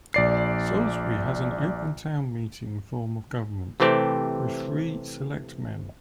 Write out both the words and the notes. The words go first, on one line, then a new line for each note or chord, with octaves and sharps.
Salisbury has an Open Town Meeting form of government, with three Selectmen.
A#1 D5 C7
C3 E3 A3 C4 G4